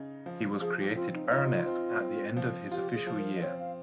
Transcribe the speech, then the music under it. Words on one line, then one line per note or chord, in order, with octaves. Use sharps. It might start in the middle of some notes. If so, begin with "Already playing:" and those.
He was created Baronet at the end of his official year.
Already playing: C#3 D#4
F3
F3 G#4
G4
D#4
C4 F4
D#4
D#4 F4
C4
C4
F3
F4 G4
G#4
F3
A#4
D#5
C4 C#5
F5